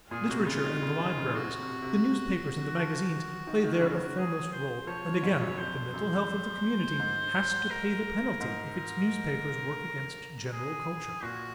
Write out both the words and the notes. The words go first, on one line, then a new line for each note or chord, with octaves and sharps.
Literature and the libraries, the newspapers and the magazines play there a foremost role, and again the mental health of the community has to pay the penalty if its newspapers work against general culture.
A#2 G#4
C3 F#4
C#3 F4
D#3
C#3
D#3
C#3
A#2
C3 F#4
C3
C3
F3
D#3
D#3
C#3
C#3
G#4
C5
F3 C#5
F3
G#2
F#2
F2 C5
F#2
G#2
A#4
G#2
G#4
A#2 F#4